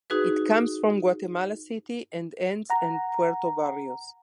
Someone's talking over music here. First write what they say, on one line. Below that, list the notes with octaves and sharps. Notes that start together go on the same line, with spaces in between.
It comes from Guatemala City and ends end Puerto Barrios.
D#4 F#4 G#4 B4
F#5 A#5